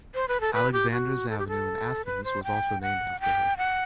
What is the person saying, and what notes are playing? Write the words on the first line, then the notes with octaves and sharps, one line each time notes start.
Alexandras Avenue in Athens was also named after her.
C5
B4
A4
B4
G4
F#4
A4
G4
A4
B4
C5
G5
F#5
G5
F#5